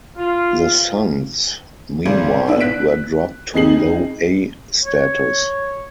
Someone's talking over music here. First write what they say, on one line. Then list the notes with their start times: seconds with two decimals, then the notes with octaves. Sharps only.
The Suns, meanwhile, were dropped to Low-A status.
0.17 F4
2.06 G#1
2.47 B3 D4 E4
2.60 F#6 B6 D7
3.54 F2 D#4 G#4 C7 F#7
4.83 C#5